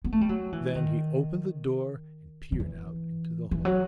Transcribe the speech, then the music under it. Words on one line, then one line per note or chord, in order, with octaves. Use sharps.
Then he opened the door and peered out into the hall.
B3
A3
G3
F#3
E3
D#3
D#3
E3
E3
F#3